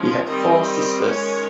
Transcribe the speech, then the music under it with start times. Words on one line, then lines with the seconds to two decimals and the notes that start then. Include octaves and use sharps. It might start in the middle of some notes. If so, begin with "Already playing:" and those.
He had four sisters.
Already playing: F3 G#3 C#4
0.25 D#3 G3 C4 D#5
1.07 D#3 G#3 C#4 C#5